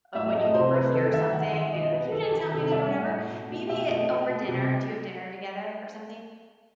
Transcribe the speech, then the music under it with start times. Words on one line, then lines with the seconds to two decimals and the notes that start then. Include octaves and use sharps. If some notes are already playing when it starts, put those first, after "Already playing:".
uh, when you overhear something and like, "You didn't tell me that or whatever." Maybe it over dinner. Do you have dinner together or something?
0.15 A2 E5
0.28 D#5
0.35 A3
0.41 D#5
0.54 C3 C5
0.74 A3 B4
0.94 D#3 A4
1.13 D#3 E5
1.33 D#3 F#5
1.52 D#3 E5
1.73 B2 D#5
1.92 B2 B4
2.12 D#3 A4
2.32 D#3 G4
2.51 C3 A4
2.71 G3 E5
2.91 A2 F#5
3.11 A3
3.31 B2
3.50 B2
3.69 B2 E5
3.89 A3 D#5
4.09 B2
4.29 B2
4.49 C3